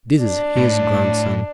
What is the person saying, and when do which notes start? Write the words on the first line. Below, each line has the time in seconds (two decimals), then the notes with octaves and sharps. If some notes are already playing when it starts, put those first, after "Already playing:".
This is his grandson.
0.23 D4
0.56 A2